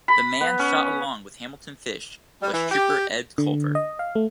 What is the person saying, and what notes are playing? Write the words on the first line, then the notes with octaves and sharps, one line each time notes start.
The man shot along with Hamilton Fish was Trooper Ed Culver.
B5
B3
C#4
G3
E3
G4
D3
D#5
F5
A3